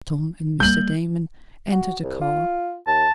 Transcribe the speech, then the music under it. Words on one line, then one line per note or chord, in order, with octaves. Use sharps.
Tom and Mr. Damon entered the car.
G3 A#3 G6 F#7
F#4
C2
F4
D#2 A5